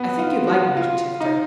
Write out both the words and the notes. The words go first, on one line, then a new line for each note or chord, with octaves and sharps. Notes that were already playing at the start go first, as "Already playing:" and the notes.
I think you'd like Major Tifto.
Already playing: B3
F4
F#4
F4
D#4